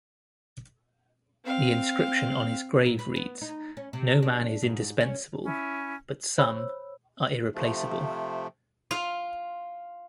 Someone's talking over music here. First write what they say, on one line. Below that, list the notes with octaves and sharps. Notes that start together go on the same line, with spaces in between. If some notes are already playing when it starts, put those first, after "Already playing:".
The inscription on his grave reads, No man is indispensable but some are irreplaceable.
C4 F5
A#2
B4
B3
D#4
C#4
C3
D4
G#2
C#4
C#4 E4
C5 C#5 B5 E6
C3 F3 A3
F4 F5